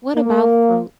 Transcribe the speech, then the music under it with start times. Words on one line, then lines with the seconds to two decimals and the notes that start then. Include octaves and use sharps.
what about fruit?
0.16 A#3